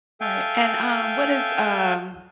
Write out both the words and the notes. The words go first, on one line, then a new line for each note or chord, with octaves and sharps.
Right. And, um, what is um
A4 E5 F5 G5 G#5